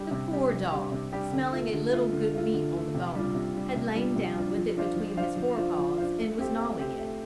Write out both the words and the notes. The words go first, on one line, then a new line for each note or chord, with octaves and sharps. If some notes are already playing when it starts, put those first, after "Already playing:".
The poor dog, smelling a little good meat on the bone, had lain down with it between his fore paws and was gnawing it.
Already playing: G3 D4 G4
C3
G3 D4 G4
C3
G3 D4 G4
C3
G3 D4 G4
D3
A3 F4
D3
A3 F4
D3
A3 F4
D3
A3 F4
C3
G3 D4 F4
C3
G3 D4 F4
C3
G3 D4 F4
C3
G3 D4 F4
F3
D4 F4 C5 F5
F3
D4 F4 C5 F5
F3
D4 F4 C5 F5
F3
D4 F4 C5 F5
A3
C4 G4 C5
A3
C4 G4 C5
A3